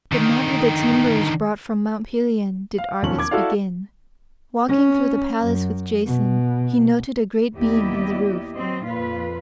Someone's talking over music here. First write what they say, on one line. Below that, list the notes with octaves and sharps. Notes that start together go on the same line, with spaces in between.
But not with the timbers brought from Mount Pelion did Argus begin. Walking through the palace with Jason he noted a great beam in the roof.
D3 D#3
F5
E1 D#2 F3 C#4 F#7
D6 G#6
E4 F#4 A4 D5 F5
C#4
F#2
B2
D#2 B3 E4 G4 D5 D#5
F#3 C4 D#5
F2 A#2 F4 B4